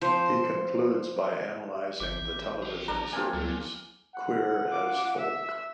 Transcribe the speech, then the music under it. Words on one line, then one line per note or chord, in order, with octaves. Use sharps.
He concludes by analysing the television series "Queer as Folk".
F3 C4 C5
G1 E5 D6 G6
A1
G#4 G5
D4 A#5
A#3 C4 F4 G#5
D2 F#3
F#5
F4 D6
E5